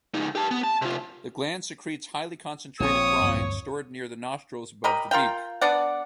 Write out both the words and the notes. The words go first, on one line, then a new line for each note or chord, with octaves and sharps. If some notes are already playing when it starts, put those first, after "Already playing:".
The gland secretes highly concentrated brine stored near the nostrils above the beak.
C#2 D#4
G4 A5
B3
A5
C3 F4
A#1 A#2 C4 C#5 D#6
D1 G2
G4 A#4 D#5 B5
F4 A#4 F5 G5
B3 D4 D5 F#5